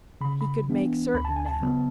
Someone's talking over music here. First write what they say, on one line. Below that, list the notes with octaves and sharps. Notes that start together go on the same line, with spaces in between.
He could make certain now.
C#3 B5
B5
E3 B3 D4
D2 B5
A5
G#5
A5
C#3 F#3 B3